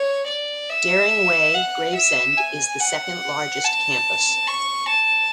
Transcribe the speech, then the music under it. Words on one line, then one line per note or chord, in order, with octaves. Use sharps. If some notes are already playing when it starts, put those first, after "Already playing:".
Dering Way, Gravesend is the second largest campus.
Already playing: C#5
D5
E5
F#5
E5
G#5
F#5
A5
C#6
A5